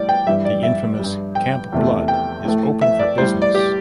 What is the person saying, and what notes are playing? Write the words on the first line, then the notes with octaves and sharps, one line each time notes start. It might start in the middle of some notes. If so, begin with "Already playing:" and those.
The infamous Camp Blood is open for business!
Already playing: A2 G3 D5
G5
G2 E3 G3 E5
D5
E5
G2 G3
G5
E2 C3 A3
G5
A2 A3
E5
D5
A2 G3 C5
D5
G4